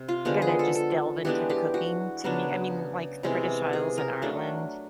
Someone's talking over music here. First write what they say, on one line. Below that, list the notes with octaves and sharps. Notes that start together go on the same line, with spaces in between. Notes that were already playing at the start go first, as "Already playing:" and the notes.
gonna just delve into the cooking to me. I mean, like, the British Isles in Ireland,
Already playing: C3
F4
D3 F3 G#3 B3 G4
G#4
A4
A4
E3 G#3 B3 D4 G4
G4
F#4
C#3 F#3 B3 D4
C3 E3 G#3 B3
G#4
A#4
F#3 A3 D4